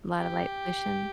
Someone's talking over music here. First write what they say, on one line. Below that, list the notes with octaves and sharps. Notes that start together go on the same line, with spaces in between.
Lotta light pollution?
G4